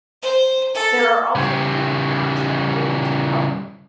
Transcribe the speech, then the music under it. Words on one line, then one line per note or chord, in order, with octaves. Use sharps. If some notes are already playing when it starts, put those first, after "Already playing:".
There are also camping grounds that are open to the public.
C5
A4
C#3 G3